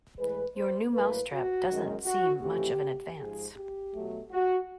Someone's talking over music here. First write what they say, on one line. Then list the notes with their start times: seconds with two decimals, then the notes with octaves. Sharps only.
Your new mouse trap doesn't seem much of an advance.
0.18 A2 E3 G#3 B4
0.56 C5
0.94 A2 F#3 A#3 B4
1.31 F#4
1.69 F#2 D#3 G#3
2.06 F#4
2.43 F2 C#3 E3 A3 G4
3.19 G#2 F3 G#3 G#4
3.56 G4
3.94 B2 F#3 A3
4.32 F#4